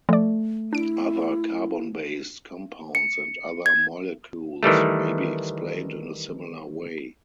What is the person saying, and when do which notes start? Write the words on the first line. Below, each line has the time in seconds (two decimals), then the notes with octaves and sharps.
Other carbon based compounds and other molecules may be explained in a similar way.
0.09 F3 A3 D5
0.73 D4 E4 D7
2.95 C#7
3.66 G#6
4.63 D#3 E3 G3 A3